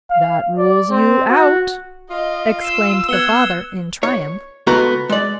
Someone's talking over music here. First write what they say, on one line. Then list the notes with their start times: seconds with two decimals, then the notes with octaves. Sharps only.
"That rules you out!" exclaimed the Father, in triumph.
0.10 F5
0.57 D5
0.91 C4
1.30 F#4
2.10 F4 D#5
2.61 E6 C7 E7
3.09 B3 F#6 G#6 C#7 G7
4.03 C#5
4.67 C#2 A3 B3 F#4 A#5
5.09 G#3 D5